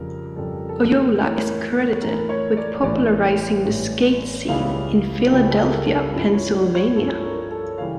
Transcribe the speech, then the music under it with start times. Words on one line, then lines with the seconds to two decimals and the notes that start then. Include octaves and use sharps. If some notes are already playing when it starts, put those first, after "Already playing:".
Oyola is credited with popularizing the skate scene in Philadelphia, Pennsylvania.
Already playing: F2 C#3 G3 A#4
0.36 F2 C#3 G3 A4
0.69 A4
0.78 A#4
1.19 A2 E3 A3 E4 C#5
1.30 A#4
1.41 C#5
1.60 A#4
2.01 A2 E3 A3 E4 A#4
2.29 C#5
2.57 D5
2.84 A1 A2 E3 D5
3.66 A1 A2 E3
4.48 C#2 C#3 G3 C#4 E4 F5
5.31 C#2 C#3 G3 C#4 E4 G5
5.50 A4
5.58 A#4
5.86 A4
6.13 G2 F3 C#4 E4
6.34 C#5
6.54 D5
6.75 C#5
6.95 G2 F3 C#4 E4 A4
7.23 A#4
7.40 A#4
7.51 A4
7.78 C#3 E3 G3 F5